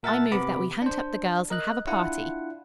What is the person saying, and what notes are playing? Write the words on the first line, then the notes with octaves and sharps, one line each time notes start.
I move that we hunt up the girls and have a party.
A#2 A#4 E5 F#5 A5 A6
C3 B3 B5 D6
D4 C5
A#4 D#5 F#6
D4 E4 F4 F#5